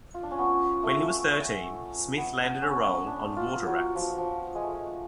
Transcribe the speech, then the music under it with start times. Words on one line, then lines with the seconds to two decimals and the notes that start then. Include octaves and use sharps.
When he was thirteen, Smith landed a role on "Water Rats".
0.14 F4
0.23 D4
0.31 C#4
0.39 B3
0.83 A3
2.17 B3
2.40 B3
2.62 C#4
2.84 B3
3.07 D4
3.36 F4
3.66 F#3
3.95 F3
4.18 F3
4.55 G#3
4.63 A3